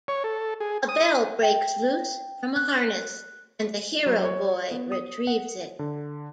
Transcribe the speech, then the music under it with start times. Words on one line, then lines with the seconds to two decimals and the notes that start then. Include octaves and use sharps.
A bell breaks loose from a harness, and the hero boy retrieves it.
0.08 C#5
0.24 A4
0.60 G#4
0.89 D#6
1.43 G5
2.56 F#6
4.06 F#3
4.25 C#5
4.71 B3
4.92 D#6
5.27 F#5
5.79 D3